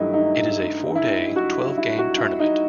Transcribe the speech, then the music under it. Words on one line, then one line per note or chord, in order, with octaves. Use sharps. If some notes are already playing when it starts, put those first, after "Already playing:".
It is a four-day, twelve-game tournament.
Already playing: G2 D#3 F#3 A3 D#4 E4
D#4
E4
F#4
E4
F#4
E4
D#4